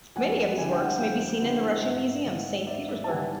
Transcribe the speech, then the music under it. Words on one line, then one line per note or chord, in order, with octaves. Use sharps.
Many of his works may be seen in the Russian Museum, Saint Petersburg.
F2 F#5 G#5
D3 G3 C4 E4 G#5
G5
F#5
F2 F5 G5
D3 G3 C4 E4
G#2 E5 F#5
D#3 G3 D#5 F5
G#2 D5 E5
D5 E5
A5
D#3 G3 F#5 G#5